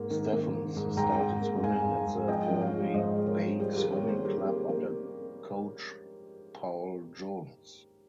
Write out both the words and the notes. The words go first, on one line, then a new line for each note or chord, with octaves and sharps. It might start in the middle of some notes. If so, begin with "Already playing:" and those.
Stephens started swimming at the Hervey Bay swimming club under coach Paul Jones.
Already playing: G#2 A#3
D#3
A#3
D#3
G#2
G#2 G5 A#5
G#2
A#3
G#2 F5 G#5
G#2
G#2
F3 D#5 G5
F3
C#5 F5
G#3
G#2 C5 D#5
G#3
A#4 C#5
F3
G3 G#4 C5
G4 A#4
D#3
A#4 C#5
A#3
G#4 C5
G3 G4 A#4
A#3
A#3